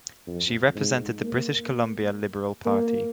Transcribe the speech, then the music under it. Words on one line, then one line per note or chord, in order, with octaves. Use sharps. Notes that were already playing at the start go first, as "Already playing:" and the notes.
She represented the British Columbia Liberal Party.
F2
G#2
A#3
A#3